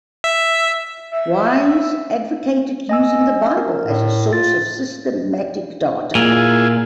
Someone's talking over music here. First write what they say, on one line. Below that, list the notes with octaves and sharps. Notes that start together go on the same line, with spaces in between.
Wise advocated using the Bible as a source of systematic data.
E5
E5
D#5 G#5 E6
A#4
A2
F4 A6
A#2 E4 F4 G#4